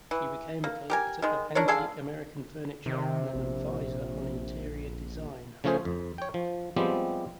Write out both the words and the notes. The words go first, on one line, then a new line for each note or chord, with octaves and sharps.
She became a collector of antique American furniture, and an advisor on interior design.
E3
A#3
G4 A#4 G#5
D#3 G#3
D4 A#4 C#5
D3 G#4 A4 F5
C3 D#3
A#1
C#3 F3 A3 C#4 G#4 C5
F2
C#5 G5
F3
F3 G3 G#3 B3 C4 G4